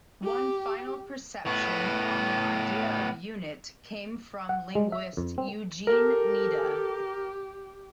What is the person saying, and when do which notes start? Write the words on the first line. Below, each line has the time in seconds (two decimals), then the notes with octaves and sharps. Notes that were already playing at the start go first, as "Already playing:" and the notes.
One final perception on the idea of "unit" came from linguist Eugene Nida.
0.23 G4
1.46 A2 B3
4.49 F#5
4.75 G#3
4.92 E5
5.17 F2
5.38 C4
5.87 G4 A4 A#4